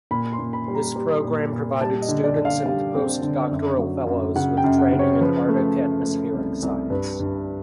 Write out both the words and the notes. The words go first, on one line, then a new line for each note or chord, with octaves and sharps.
This program provided students and postdoctoral fellows with training in Arctic atmospheric science.
A#2 B5
C6
A#2
B5
G3
A#5
G3
A#2
A#2
G3 A5
D#5
D3
D5
D3
F5
G3 F5
C4
D3
F#2
F#3
F#2
C#3 F#5
G5
F#2
F#5
C#3
C#5
F3 B4
A3
A3
A3
C2
C2
G2 B4
G2